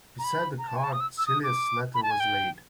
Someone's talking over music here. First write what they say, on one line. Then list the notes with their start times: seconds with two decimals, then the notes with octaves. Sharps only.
Beside the card Celia's letter was laid.
0.19 A#5
0.24 B5
0.58 A#5
0.68 A5
0.76 G#5
0.84 A5
0.93 D#6
1.00 E6
1.18 E6
1.27 D#6
1.44 D6
1.94 B5
2.03 A5
2.11 G#5
2.20 G5